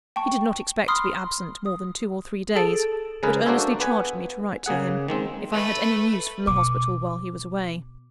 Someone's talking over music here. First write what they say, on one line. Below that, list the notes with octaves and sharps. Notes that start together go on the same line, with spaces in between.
He did not expect to be absent more than two or three days; but earnestly charged me to write to him, if I had any news from the hospital while he was away.
G5 A5 C#6
B5 C6 D#6 F6 C7
D#6
G#4 A4 A5 A6 D7
C#3 G#3 G#4 A#4 B4
A#3 D4 F#4 A4 C5 E5
B3 B4 G#5
C#3 A#3 G#4 F#5
D#3 G#3 C4
A3 B4
B2 D6